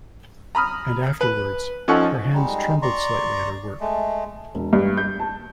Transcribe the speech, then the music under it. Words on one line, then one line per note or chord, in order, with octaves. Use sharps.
And afterwards her hands trembled slightly at her work.
A#5 B5 D#6 F6
B4
F3 C#4 D#4 A4 F#5 C#6
G3 G#3 D#4
D5 A#5 C6 C#6
G#3 A3
E1
G2
G6
A5